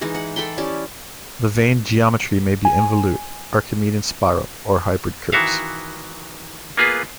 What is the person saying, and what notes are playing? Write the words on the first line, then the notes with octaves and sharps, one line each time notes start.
The vane geometry may be involute, archimedean spiral, or hybrid curves.
E3 G#3 D#4 E4
F#5
A4 G5 B5 C6
C#4 E4 G4 D5
G#5
D#3 E3 F#4 E5 F5
A#3 B3 F4 G#4 B4